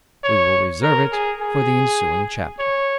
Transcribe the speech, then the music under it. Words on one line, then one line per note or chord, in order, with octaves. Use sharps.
We will reserve it for the ensuing chapter.
C#5
A#4
G#4
G#4
C#5